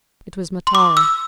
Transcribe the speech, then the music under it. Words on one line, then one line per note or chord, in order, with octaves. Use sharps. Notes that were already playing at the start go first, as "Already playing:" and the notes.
It was Matara.
C6
D6
E6